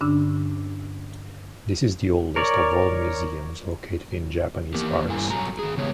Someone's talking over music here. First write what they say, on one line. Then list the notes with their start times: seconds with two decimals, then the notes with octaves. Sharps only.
This is the oldest of all museums located in Japanese parks.
0.01 G2 D3 C#4 D4 E6
2.36 A#4 C#5 D5
4.74 E2 A#3 G4 A#4
5.08 G2 E4 A4 G#5
5.30 F#3 A4 A#5
5.59 D#3 G#4
5.77 C#3 G#3 A3 B3 G4 C#5